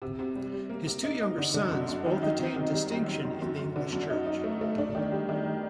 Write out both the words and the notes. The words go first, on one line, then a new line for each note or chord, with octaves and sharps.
His two younger sons both attained distinction in the English church.
C3
C3
G3
G3
A#3
C3
D#4
D#4
D3
D3
F#2
F#2
D#3
D#4
C4
D#3
G3
F#2
F#2
F#2
F#2
F#2
D3
F#2
D#4
D#4
A3
A3
D4
D#3
G3
D#3